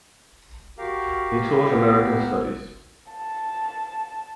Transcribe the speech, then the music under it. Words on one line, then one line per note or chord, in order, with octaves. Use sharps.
He taught American studies.
F#4 G4 A#4 F5
B3
A5